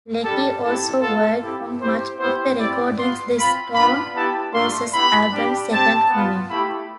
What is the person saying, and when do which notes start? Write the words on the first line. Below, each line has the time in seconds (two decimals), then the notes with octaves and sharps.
Leckie also worked on much of the recording the Stone Roses' album "Second Coming".
0.23 G3 D4 G4 A4
0.63 C4 E4 G4 A4
1.01 B3 F4 A4
1.41 C4 E4 G4
1.80 C4 E4 G4 C5
2.19 B3 E4 G4 C5
2.58 C4 E4 G4 D5
2.97 B3 F4 C6
3.37 C4 F4 B5
3.75 B3 D4 F4 B5
4.14 B3 E4 G4 A5
4.53 A3 D4 F4 C6
4.93 B3 E4 G4 B5
5.31 G3 D4 G4
5.71 C4 G4 A5
6.10 B3 F4
6.49 A3 E4 G4 B5